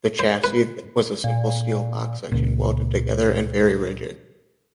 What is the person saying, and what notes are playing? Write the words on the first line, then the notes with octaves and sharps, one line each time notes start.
The chassis was a simple steel box section, welded together and very rigid.
C5
B4
A#2
C#2 A#2